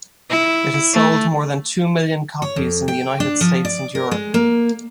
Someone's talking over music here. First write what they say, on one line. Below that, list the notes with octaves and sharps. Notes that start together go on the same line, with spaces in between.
It has sold more than two million copies in the United States and Europe.
E4
A3
C#5
F2
G5
D4
F3
D5
A#4
G#3
A#3